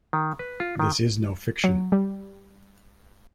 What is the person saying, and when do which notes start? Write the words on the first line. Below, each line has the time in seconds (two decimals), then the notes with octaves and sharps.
This is no fiction.
0.13 D#3
0.39 B4
0.60 F4
0.79 D#3
1.64 F#3
1.92 G3